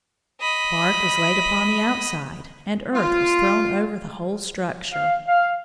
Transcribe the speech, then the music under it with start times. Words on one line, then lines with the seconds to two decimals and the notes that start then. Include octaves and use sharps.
Bark was laid upon the outside, and earth was thrown over the whole structure.
0.41 D#5 B5
2.93 F4
4.92 F5
5.28 F5